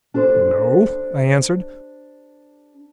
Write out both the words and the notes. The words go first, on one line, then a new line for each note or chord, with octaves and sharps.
"No," I answered.
D4 G4 A4 C5